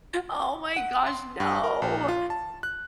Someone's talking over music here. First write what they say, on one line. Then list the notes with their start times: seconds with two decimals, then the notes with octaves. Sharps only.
Oh, my gosh, no,
0.76 F#5
1.06 C6
1.40 G2
1.64 A#4
1.82 A#1
2.08 F4
2.30 A5
2.63 F#6